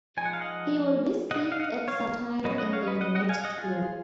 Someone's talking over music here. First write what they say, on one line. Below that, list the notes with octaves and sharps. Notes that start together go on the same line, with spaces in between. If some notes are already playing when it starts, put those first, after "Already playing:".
He will be sick at some time in the next year.
F3 G#3 D#4 G#5
F#5
F5
D#5 F#5
D#5 F#5
F5
D#5 F#5
C#5 F5
F#3 A#3 C#4 B4 D#5
D#5 F#5
C#5 F5
B4 D#5
D#5 F#5
D#5 F#5
F5 G#5
D#5 F#5
F4 G#4